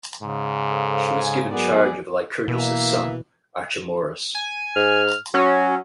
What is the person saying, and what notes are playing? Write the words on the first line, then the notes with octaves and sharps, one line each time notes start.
She was given charge of Lycurgus's son, Archemorus.
G#2 C#3
A4 C5 F5
G#5
F#3 B3 F#4 G#4 A#4 D5
B2 E3 A#3 E5
G#5
G#2 F6
F#3 C#4 F#4